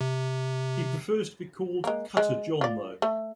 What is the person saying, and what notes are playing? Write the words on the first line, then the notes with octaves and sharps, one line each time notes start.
He prefers to be called Cutter John, though.
C3
G#3 A#3
G#3
F4 D5
A3